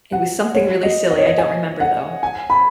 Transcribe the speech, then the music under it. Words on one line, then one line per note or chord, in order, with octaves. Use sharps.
It was something really silly, I don't remember, though.
F#5
C#5
D#5
D#5
C#5
D#5
G#5
F#5
G#5
B5